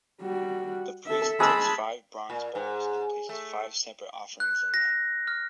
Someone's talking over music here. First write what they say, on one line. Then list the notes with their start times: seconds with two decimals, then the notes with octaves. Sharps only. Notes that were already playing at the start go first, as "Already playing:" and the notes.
The priest takes five bronze bowls and places five separate offerings in them.
0.21 G3 F#4
1.06 A4 E5
1.40 G#3 A5 B5 E6
2.30 A#2
2.55 G#2
3.29 A3
4.40 F#6
4.74 A#6
5.28 F6